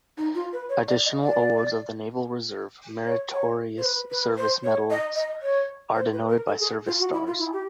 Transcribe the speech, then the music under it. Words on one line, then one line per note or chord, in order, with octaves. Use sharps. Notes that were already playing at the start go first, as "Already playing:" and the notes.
Additional awards of the Naval Reserve Meritorious Service Medal are denoted by service stars.
D#4
F4
B4
C#5
D5
D#5
D5
C#5
C#5
C5
B4
B4
C5
C#5
D#5
D#5
C#5
C5
B4
A#4
A4
G#4
F4
F#4
E4
F4
E4
G4